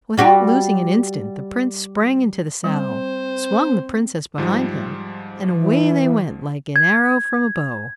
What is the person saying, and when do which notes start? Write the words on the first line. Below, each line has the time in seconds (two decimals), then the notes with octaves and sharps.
Without losing an instant the prince sprang into the saddle, swung the princess behind him, and away they went like an arrow from a bow.
0.18 G3 F#4 G4
2.64 G3 C4 C5
4.38 G#2 F3 G3
5.53 E3
6.76 G#6